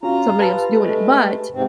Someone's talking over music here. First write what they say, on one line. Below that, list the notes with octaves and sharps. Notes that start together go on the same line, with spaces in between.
somebody else doing it, but
C#4 F4 F#4 A#5
G4 B4 A5
G#3 A3
G#2 C3 C4